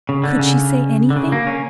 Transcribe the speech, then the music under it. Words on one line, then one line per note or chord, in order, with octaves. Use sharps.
Could she say anything?
C#3
D3
C#3
D3
C#3
A#3
C#4